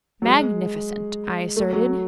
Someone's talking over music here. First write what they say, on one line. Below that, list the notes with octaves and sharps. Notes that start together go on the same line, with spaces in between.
"Magnificent!" I asserted.
F#3
G#3
A3
F#3